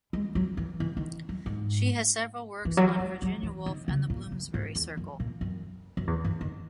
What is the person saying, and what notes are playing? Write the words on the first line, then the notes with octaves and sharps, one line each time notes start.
She has several works on Virginia Woolf and the Bloomsbury Circle.
G#3
F#3
E3
E3
D#3
F#3
G#2
E3
F#3
G#3
F#3
E3
D#3
C#3
A#2
F#2
G#2
E2
F#2
A#2
F#2
F#2
E2
F#2
D#3